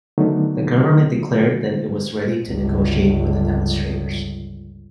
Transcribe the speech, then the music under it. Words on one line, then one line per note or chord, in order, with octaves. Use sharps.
The government declared that it was ready to negotiate with the demonstrators.
D3 D#3 F#3 A3 B3 D#4
G1 C#2